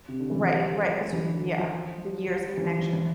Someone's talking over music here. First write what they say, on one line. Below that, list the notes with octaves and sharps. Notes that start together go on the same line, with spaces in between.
Right, right, 'cause you yeah, the years of connection.
C3
D3
E3
F3
G3
F3
E3
D3
F3
F3
G3
G3
E3
F3
E3
E3